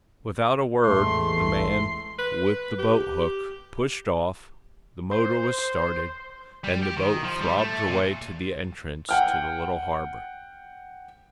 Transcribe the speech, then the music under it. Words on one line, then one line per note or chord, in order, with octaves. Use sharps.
Without a word the man with the boat-hook pushed off, the motor was started and the boat throbbed her way to the entrance to the little harbour.
A1 E2 G#3 A3 C6
B4
G4
C5
G3
G4
D#3
F3
G3
A3
A#2
F#5 G5 F6